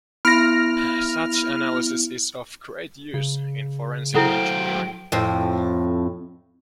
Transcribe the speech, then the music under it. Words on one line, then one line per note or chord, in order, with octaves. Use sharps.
Such analysis is of great use in forensic engineering.
B3 E4 B5 F6 A#6 D7
C#3
F#3 E4 A4 C5 F#5 G5
F2 A2 C4